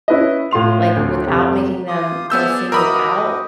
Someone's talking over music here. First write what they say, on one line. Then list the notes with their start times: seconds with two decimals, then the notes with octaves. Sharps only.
like, without making them feel singled out?
0.08 C#4 E4 B4 C#5 D#5
0.51 A2 F4 C6 F7
0.97 D2
1.27 F1 C3 G4
1.88 F4 G4 D#6
2.30 B3 G#4 E5 A5 E6 G6
2.49 G#4 D5
2.72 F#4 G4 A#4 D#5 B5 D#6